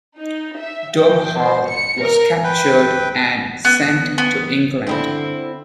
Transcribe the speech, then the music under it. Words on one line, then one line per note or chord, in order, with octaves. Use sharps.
Domhall was captured and sent to England.
D#4
E5
G5
C5
C#7
A#4
B4 G5
B3
B3
D3 C4 D#4 E4